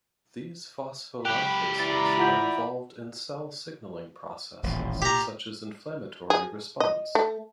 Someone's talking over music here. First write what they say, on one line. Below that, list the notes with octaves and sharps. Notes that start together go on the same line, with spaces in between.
These phospholipases are involved in cell signaling processes, such as inflammatory response.
C#2 G4 B5 F#6 F7
E3 D5 A#5 B5 A6
F4 F#5 G6
D#1 A1 A#2
A#2 G4 A#5
G#4
D#5
A3